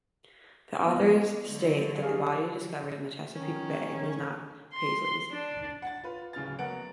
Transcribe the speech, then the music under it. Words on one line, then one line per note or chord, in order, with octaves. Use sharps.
The authors state that the body discovered in the Chesapeake Bay was not Paisley's.
B3 F4 D#5
D3 F#3
G4 G#4 F5
D#3 C#4
C6
D4
F#5 A6
F4 B4
D1 C#3 F6 A6
F#1 F#3 B3 F#5 F#6 D7